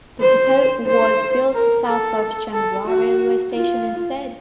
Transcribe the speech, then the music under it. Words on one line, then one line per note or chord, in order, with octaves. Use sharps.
The depot was built south of Changhua railway station instead.
C5
C5
A#4
A4
A4
F#4
F4